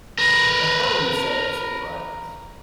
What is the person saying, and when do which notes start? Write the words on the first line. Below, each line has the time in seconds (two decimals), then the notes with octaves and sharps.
The hell you say it's all right!
0.18 A#4 B4